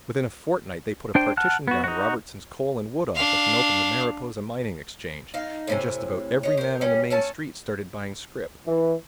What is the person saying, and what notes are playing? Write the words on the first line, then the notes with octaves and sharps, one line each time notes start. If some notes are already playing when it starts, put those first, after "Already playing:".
Within a fortnight they put a partition down Robertson's Coal and Wood Office and opened the Mariposa Mining Exchange, and just about every man on the Main Street started buying scrip.
D4 C5 G5
F#5 A5 F6 F#6
B3 F#4
D#4 F#4
D4 F5
D#4 F5
A2 C3 G#5
C#5 D#5
A#4 C5
G3 C#4
A3 C#4 A5
E3